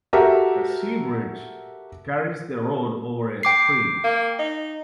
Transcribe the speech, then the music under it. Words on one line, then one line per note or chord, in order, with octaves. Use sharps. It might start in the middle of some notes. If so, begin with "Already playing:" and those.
The "Sea Bridge" carries the road over a stream.
F#4 G4 A4 A#4 E5
G5 D6 C7
A#3
D#4